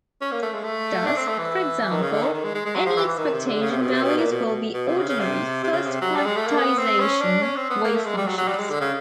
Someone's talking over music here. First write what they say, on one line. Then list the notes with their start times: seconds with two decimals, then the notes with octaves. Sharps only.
Thus, for example, any expectation values will be ordinary first-quantization wavefunctions.
0.21 C#4
0.32 A#3
0.42 A3
0.54 G#3
0.64 A3
1.06 D4
1.17 C4
1.28 A3
1.38 E3
1.91 D#3
2.02 C#3
2.12 D3
2.23 D#3
2.34 D#3
2.44 G#3
2.55 G#3
2.65 G#3
2.76 F#3
2.86 F3
2.97 E3
3.08 E3
3.18 D#3
3.33 C3
3.46 D3
3.61 C#3
3.71 C3
3.82 B2
3.93 C3
4.03 B2
4.17 A#2
4.31 B2
4.46 B2
4.74 B2
4.88 C3
4.98 C#3
5.09 C#3
5.20 C3
5.63 C3
5.73 C#3
5.87 C3
6.01 F#3
6.16 G3
6.26 G#3
6.36 A3
6.47 A#3
6.57 B3
6.78 C4
7.00 C#4
7.22 D4
7.43 C#4
7.56 C4
7.70 B3
7.84 A#3
7.96 A3
8.06 G#3
8.17 G3
8.27 F#3
8.38 F#3
8.48 G3
8.59 G#3
8.70 D3
8.81 C#3